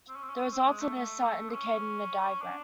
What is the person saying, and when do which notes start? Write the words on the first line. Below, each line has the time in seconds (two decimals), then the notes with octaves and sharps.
The results of this are indicated in the diagram.
0.09 C4
0.16 C#4
0.23 C4
0.29 C#4
0.36 C4
0.44 C#4
0.52 C4
0.67 G#3
0.81 A3
0.96 A3
1.50 C4
1.54 C#4
2.41 D4